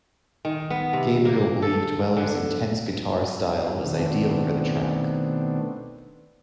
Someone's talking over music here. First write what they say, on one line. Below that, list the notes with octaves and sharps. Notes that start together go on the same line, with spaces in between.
Gabriel believed Weller's intense guitar style was ideal for the track.
D#3
B3
C3
A#3
A4
D3
B2 D#3 A3 B3 C4 D4